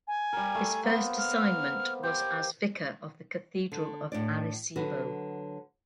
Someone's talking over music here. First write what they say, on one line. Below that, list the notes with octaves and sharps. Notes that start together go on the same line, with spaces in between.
His first assignment was as Vicar of the Cathedral of Arecibo.
G#5
G3 A#4
A3
A#3 B3 C5
F6
G4 C6 G6
D3
A2 D4 D5
D3 F#3 F#4 B4